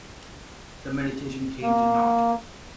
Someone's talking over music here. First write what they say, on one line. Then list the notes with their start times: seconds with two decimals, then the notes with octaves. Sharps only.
The mediation came to naught.
1.63 A#3